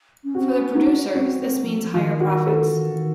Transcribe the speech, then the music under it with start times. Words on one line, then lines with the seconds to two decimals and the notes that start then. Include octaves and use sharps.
For the producers, this means higher profits.
0.24 C#4
0.34 C4 F#4
0.54 C#4
0.74 D#4 F#4
0.94 C#4
1.14 C4 F#4
1.41 C4
1.66 F3
1.94 D#3 F4
2.20 F#4
2.47 A4
2.73 D#3
2.93 D#3